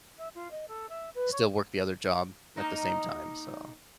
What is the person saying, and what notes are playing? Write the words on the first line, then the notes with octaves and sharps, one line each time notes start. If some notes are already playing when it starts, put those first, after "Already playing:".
still work the other job at the same time. So
E5
F4
D#5
A4
E5
B4
C#5
A#3 D#4 A#4